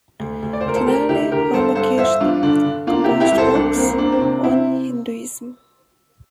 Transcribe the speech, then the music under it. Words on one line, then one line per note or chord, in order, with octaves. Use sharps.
Tenali Ramakrishna composed works on Hinduism.
D2
D2
D5
C5
D2 A#4
A4 C5
D2 G4 A#4
D3 E4 G4
D3 G4 A#4
G2 A4 C5
G2 A4 C5
G2 C5 E5
G2 D4 F4
D3 D4
D3
A#3 D4 F4
E4 G4
C3
E4 G4
C2
A4 C5
C2 D4
A#3 C4
C4
A#3 D4
C4
C3 D4
C3 C4 E4